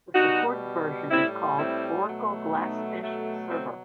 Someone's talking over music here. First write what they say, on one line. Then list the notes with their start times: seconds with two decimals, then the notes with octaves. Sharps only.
The supported version is called Oracle GlassFish Server.
0.14 B2 G3 D#4 F#4
1.10 A2 G3 C4 E4
1.58 C4 E4
2.05 B2 F#3 A3
2.54 B3 D#4
3.02 B2 F#3 A3
3.50 A3 C4